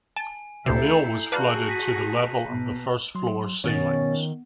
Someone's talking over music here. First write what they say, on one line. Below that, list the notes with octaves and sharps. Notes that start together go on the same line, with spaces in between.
The mill was flooded to the level of the first floor ceilings.
G#5 A5
D2 C3 E4 A4 A#5 G6 C7
F#4 G#4 B4 D5 F5 A5 F#6 F#7
A#6 B6 D#7
B2
F#3 C6
B2 D#3 C#4 C#5 A6